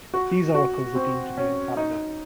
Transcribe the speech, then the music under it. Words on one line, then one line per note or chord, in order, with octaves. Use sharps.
These oracles are deemed to be infallible.
F#4
F#4
C4
C#4
D#4